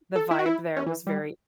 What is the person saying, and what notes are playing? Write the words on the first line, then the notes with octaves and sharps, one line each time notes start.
The vibe there was very
A4
E4
F#4
E4
C#4
E3
G3